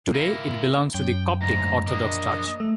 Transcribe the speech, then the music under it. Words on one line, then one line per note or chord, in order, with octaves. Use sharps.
Today it belongs to the Coptic Orthodox Church.
A#3 E4
F#2 G5
D2 G#2 A#5
A#3 D4 D#5
A3